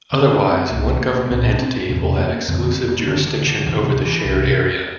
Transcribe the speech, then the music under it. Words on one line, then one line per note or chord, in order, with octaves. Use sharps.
Otherwise, one government entity will have exclusive jurisdiction over the shared area.
D2 D3 C4
D4
C4
C2 C3 A#3
A#3
A#3
C2 A#2 C4
D4
C4
E2 C3 A#3
A#3
F2 D3 C4
C4
A#3
D2 D3 C4
D3
D3
D2 C3 E3
F3
E3
C2 C3